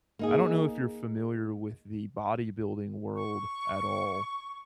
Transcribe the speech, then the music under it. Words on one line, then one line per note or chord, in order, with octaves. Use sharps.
I don't know if you're familiar with the bodybuilding world at all,
A#3 D#4 G#4
C#6